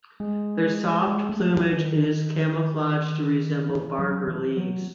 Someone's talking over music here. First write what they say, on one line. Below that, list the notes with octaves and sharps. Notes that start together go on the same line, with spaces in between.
Their soft plumage is camouflaged to resemble bark or leaves.
G#3
G#3
A3
F#3
D#3
E3
F#3
E3
F#3